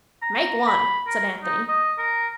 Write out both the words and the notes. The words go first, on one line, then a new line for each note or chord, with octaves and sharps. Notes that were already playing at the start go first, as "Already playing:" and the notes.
"Make one," said Anthony.
A#5
B5
A#4
D#4
D#5
A#4